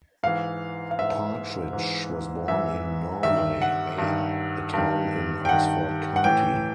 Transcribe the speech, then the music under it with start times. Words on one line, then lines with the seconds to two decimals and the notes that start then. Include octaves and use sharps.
Partridge was born in Norway, Maine, a town in Oxford County.
0.23 G#2 E3 F5
0.91 F5
0.99 G#2 E3 E5
1.73 G#2 E3
2.48 G#2 E3 E5
3.23 G2 D#3 E5
3.62 F#5
3.98 G2 D#3
4.73 G2 D#3
5.45 G5
5.49 G2 D#3 F#5
6.16 F#5
6.24 A2 E3 G5